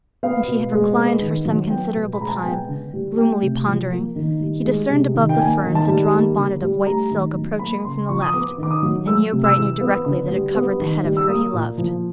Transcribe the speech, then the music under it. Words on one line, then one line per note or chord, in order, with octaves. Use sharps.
When he had reclined for some considerable time, gloomily pondering, he discerned above the ferns a drawn bonnet of white silk approaching from the left, and Yeobright knew directly that it covered the head of her he loved.
B3 F5
B2
G#3
B3
D#3
F#3
B3 G5
B2
B5
G#3 A#5
A5
G#5
B3 G5
D3
G3
A3 G5
C3
F3
A#3
D#3
G3
G#3
C3
D#3
G5
A#3 G#5
D#3
A5
G3
A#3
D3
G3
A3 A#5
D#3
F#3
A#3 B5
C#3 C6
F3 C#6
D#6
B3 D6
D#3 D6
D#6
F#3
A3 E6
C3
E6
E3
B3
D3
G3
B3
D#3
G3
E6
A#3 D#6
A#2
F3